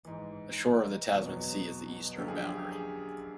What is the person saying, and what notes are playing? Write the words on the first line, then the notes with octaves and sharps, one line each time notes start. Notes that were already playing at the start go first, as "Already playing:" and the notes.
The shore of the Tasman Sea is the eastern boundary.
G#2 E3
E2 B2 F#3
F#2 D3 F3 G4
G#4
G4
G#4
G4
G#4